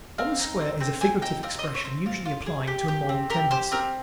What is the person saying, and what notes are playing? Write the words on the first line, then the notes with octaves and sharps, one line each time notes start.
"On the Square" is a figurative expression usually applying to a moral tendency.
C4 F5
D#4
C4
C4 G5
C4 G#5
D#4 G5
C4 F5
D#5
C4
C#5
C4
F4
F4
G#4
G4
G4
C4
G4 A#4
G4 C5
C4 A#4